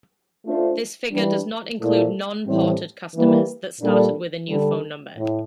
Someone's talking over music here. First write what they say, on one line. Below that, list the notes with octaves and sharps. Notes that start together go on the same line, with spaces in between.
This figure does not include "non-ported" customers that started with a new phone number.
A3 D4 F4 A4 C5
E3 G3 D4
A#2 A3 E4 A4 C5
A2 E3 G3 C4
E3 G3 A#3
A#2 G3 A#3 D4 A4
D3 G3 D4 A4
A2